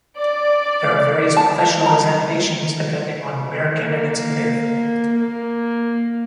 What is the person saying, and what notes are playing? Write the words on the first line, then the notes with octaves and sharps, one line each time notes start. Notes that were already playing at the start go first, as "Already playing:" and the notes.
There are various professional examinations, depending on where candidates live.
D5
A5
A#5
A#3
A#3